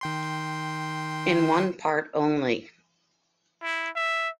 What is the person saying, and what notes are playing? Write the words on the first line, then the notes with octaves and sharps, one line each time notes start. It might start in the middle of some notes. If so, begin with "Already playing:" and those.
In one part only.
D#3 G5 C6
E4
E5